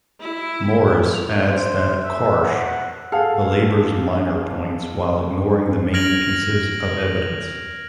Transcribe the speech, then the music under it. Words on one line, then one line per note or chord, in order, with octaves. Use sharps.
Morris adds that Karsh belabors minor points while ignoring the main pieces of evidence.
E4
C5
E5
F#5
G#4 A4 F5 F#5
F6 G#6 A#6 D7 F7 F#7